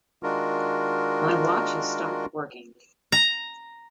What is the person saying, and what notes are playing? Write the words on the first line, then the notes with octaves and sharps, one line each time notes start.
My watch has stopped working.
D#3 G#3 D4 F4 F#4 A#4
A#5